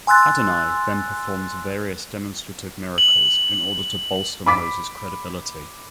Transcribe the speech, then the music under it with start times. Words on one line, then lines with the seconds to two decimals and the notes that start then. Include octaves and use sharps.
Adonai then performs various demonstrative miracles in order to bolster Moses' credibility.
0.07 G#5 C6 E6 F#6 A6
2.98 F#7
4.46 B5 D6 B6